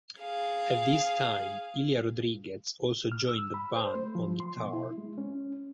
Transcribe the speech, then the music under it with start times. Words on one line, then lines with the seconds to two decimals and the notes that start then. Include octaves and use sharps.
At this time Ilia Rodriguez also joined the band on guitar.
0.20 G#4 F5
3.12 F6
3.29 E6
3.54 B5
3.76 C5
3.95 A3
4.15 F3
4.40 C6
4.57 B2
4.73 E4
4.98 G#3
5.18 C#4